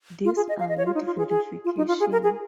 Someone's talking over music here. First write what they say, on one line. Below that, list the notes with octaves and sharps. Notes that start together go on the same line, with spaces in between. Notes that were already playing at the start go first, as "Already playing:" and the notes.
These await verification.
F4
G#4
D#5
F5
D#5
C#5
F4
D#4
F4
G#4
G#4
F4
D#4
F4
G#4
A#4
G#4